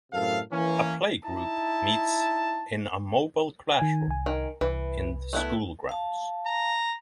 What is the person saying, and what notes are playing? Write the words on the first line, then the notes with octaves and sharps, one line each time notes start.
A Playgroup meets in a mobile classroom in the school grounds.
F#2 A2 C3 A4 A#4 F5
E3 A#3 C#4
D#4 E4 A5
D#3 G#5
C2 G#5
D#3
C2 E3 B4
A3 B3 E4
F5 A5
A#5